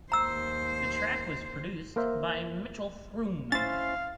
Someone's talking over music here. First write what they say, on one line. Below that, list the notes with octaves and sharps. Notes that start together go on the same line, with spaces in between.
The track was produced by Mitchell Froom.
D#2 C5 A#5 E6
A#3 A#4 C5 E5
C#4 E4 C5 F5 A6